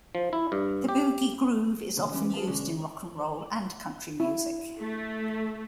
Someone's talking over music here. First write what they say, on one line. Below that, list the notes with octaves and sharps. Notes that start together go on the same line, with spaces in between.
The boogie groove is often used in rock and roll and country music.
F3
E4
G2
G4
E2 A#2 D3
E3 G3 G#3 C#4
F4 G#4 B4 F5 A5
B2 D3 G#3 C#4 D4
E4
A3